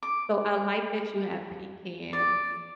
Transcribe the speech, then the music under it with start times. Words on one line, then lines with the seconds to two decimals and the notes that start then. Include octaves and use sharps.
So, I like that you have pecans,
0.03 D6
2.13 D5